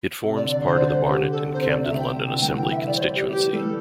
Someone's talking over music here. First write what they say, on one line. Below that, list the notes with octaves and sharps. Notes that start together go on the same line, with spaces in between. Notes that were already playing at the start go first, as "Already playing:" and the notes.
It forms part of the Barnet and Camden London Assembly constituency.
C3
D5
D3
D5
D3 C5
D5
C5
G4
A4
C3 C5
D5
E5
G5
D3
E3
G3 G5
G5
E5
D5
C5
D5
G4
E3 G4
G3 A4